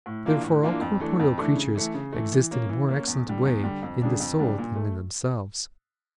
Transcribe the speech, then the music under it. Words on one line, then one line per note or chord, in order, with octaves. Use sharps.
Therefore all corporeal creatures exist in a more excellent way in the soul than in themselves.
A2
E3 A#3 D4 F4
A2
E3 A#3 D4 F4
F2
E3 A3 D4
F2
E3 A3 D4
C#3
E3 A3
C#3
E3 A3
E3
A#3 C#4
E3
A#3 C#4
E2
D3 G3
E2
D3 G3
F2
C#3 G3 D4
F2
C#3 G3 D4
A#2
A3